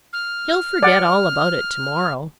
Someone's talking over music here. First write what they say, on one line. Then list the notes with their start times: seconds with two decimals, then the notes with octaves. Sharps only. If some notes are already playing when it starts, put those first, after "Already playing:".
He'll forget all about it to-morrow.'
0.13 F6
0.83 D5 F#5